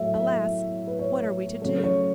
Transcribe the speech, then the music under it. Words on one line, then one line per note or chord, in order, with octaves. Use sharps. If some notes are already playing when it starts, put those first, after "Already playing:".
Alas, what are we to do?
Already playing: A2 F#3 A3 E5
E5
B4
C#5
C#3 F#3 A3 C#5
C#5